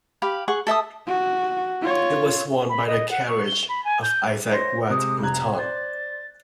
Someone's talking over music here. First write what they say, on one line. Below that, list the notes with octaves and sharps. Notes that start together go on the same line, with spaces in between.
It was won by the carriage of Isaac Watt Boulton.
G4 F5 B5
G#4 F#5 C#6
A4 E5 A5 D#6
F#4
F4 C#5
B5
D#5
F#5
C#6
G7
B5
G#5
G6
C5 C#5 C6 A#6
C3 G#3 D#6
F1 A#5 F#6 G#6
C5 D5 A6